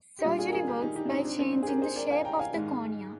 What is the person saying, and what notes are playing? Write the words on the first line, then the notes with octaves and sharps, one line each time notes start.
Surgery works by changing the shape of the cornea.
G4
A#2 G3 D4 F4
F4 G#4
A#4
F4 G#4
G4 A#4
D#4 G4
D#4 G4
D4
C4 D#4
D4
C4
D4
G#4
G4 A#4
G#4 C5
A#4 D5
F5 G#5
G5 A#5
F5 G#5
G#2 D#3 G#3